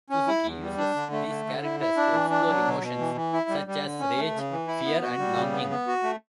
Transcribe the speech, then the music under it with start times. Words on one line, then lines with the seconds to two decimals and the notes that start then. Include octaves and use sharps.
Suzuki uses these characters to explore emotions such as rage, fear and longing.
0.10 C#4
0.27 E4
0.44 E2
0.61 G3
0.78 D4
0.95 D3
1.12 A3
1.28 D3
1.45 D3
1.63 E4
1.80 E4
1.97 D4
2.13 E3
2.30 D4
2.48 F#3
2.65 B2
2.81 B2
2.98 E3
3.15 E3
3.33 E4
3.49 G3
3.67 G3
3.84 D3
4.00 C#4
4.18 A3
4.35 C#3
4.51 E3
4.67 E4
4.85 B3
5.02 F#4
5.19 G3
5.35 C#3
5.52 B3
5.70 B3
5.87 F#4
6.03 A3